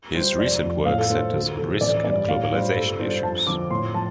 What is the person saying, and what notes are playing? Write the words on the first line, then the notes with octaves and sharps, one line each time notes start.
His recent work centers on risk and globalization issues.
G3 C4 F4 C5
F1 D5
F2 F3
A2 F5
A4
A3 D4 F4 C5
D2 A4
C3 F3 C4 F4 A4
A1 D5
G2 G3 D5
A2 F5
G3 D4 F4 C5
G2 A4
G3 D4 F4 C5
F2 A5
D3 F3 C4 F4 D6
A2 C6
F3 A5